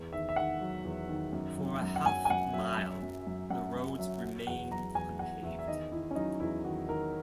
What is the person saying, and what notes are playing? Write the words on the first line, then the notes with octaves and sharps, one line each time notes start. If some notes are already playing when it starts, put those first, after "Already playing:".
For a half mile, the roads remains unpaved.
Already playing: E2
D#3 E5
E5
D#3 F#5
F#3
E2
D#3
F#2
F#3
F#2
F#5
F#2 G#5
G#5
F#2 F#5
F#3 E5
F#2
F#2
F#2
F#2 F#5
F#2
F#3 E5
F#3
E2 F#5
F#3 A#5
E2 G#5
E2 F#5
E2 E5
E5
D#3 D#5
D#3 E4
C#4
F#3 D#4
E2 E4
D#3 F#4
D#3 A#4